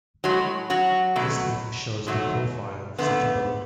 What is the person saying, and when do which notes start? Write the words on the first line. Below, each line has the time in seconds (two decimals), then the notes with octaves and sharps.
This link shows the profile of such a boat.
0.24 A2 F#3 G#3 F#4
0.70 F#3 F#4
1.16 B2 F#3 A3
2.07 G#2 F#3 A3
2.98 F2 D3 F#3 A3 B3